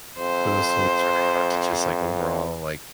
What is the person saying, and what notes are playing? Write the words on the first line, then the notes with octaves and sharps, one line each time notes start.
but also it's very hard to just, like, overall, like,
F2 C5